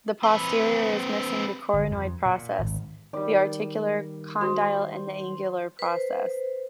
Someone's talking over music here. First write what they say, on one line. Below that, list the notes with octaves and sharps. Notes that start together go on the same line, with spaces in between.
The posterior is missing the coronoid process, the articular condyle and the angular process.
C4 B4
G1
F2
A#2
G#1
D#3 G3 D5
F#4 C5
B4 C5